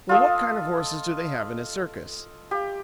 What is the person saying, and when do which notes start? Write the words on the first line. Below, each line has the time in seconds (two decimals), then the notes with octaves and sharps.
Well, what kind of horses do they have in a circus?
0.09 F4 A4 D#5
2.51 G4